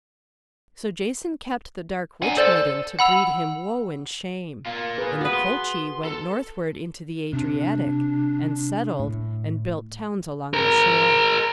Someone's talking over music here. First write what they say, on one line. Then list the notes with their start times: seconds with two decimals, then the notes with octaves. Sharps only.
So Jason kept the dark witch maiden to breed him woe and shame; and the Colchi went northward into the Adriatic, and settled, and built towns along the shore.
2.22 D4 F#5 G#5
2.37 A4 C5 D5
2.99 F#5 B5 E6 F7
4.66 A#3 F4
4.98 G#4 B4
5.21 B3 F#4 B4
5.34 C6
6.05 A4
7.33 C3 D4
8.99 A2
10.54 G#4 A#4